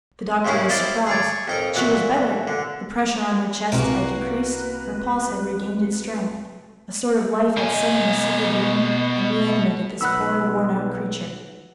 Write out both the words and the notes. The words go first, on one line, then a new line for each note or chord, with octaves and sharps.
The doctor was surprised; she was better; the pressure on her chest had decreased; her pulse had regained its strength; a sort of life had suddenly supervened and reanimated this poor, worn-out creature.
G2 C#3 A#3 C#4 E4
E4 C5 D5 D#5 F5
G#4 C#5 D5
F2 D#4 A#4
A#2 E3 F#4
D3
C2 A#3 F#4 B4
B2 D#5 G#5
B1 D#4 B4 F#5 E6 F#6